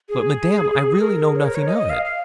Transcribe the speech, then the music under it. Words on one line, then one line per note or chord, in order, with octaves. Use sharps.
'But, Madame, I really know nothing of it.
G#4
A#4
G#4
C#5
A#4
C#5
D#5
D#5
F5
F5